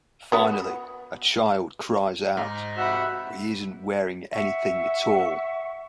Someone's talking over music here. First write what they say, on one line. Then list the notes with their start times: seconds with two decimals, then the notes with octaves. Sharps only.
Finally, a child cries out, But he isn't wearing anything at all!
0.32 B3 F#4 B4
2.37 G#2 G#3 D#4
2.76 F2 C3 F#4 C5 E5 F#5 B5
4.31 E5 F#5 C#6